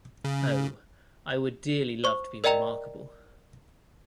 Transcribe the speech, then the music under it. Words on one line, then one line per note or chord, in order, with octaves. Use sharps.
Oh, I would dearly love to be remarkable.
C#3
C5 C#6
A#4 D5 D#5 G5 A#5 F7